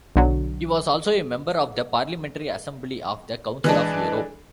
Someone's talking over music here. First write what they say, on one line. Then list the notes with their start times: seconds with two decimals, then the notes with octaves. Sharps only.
He was also a member of the Parliamentary Assembly of the Council of Europe.
0.16 B1 D3 F#3
3.64 E3 G#3 D4